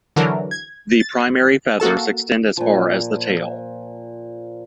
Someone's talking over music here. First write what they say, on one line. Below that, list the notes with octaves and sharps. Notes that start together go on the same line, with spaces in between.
The primary feathers extend as far as the tail.
D3 E3 F#3 D4 A#4
G#6
A6
A#3 F#4 A4 A5
A#2 F3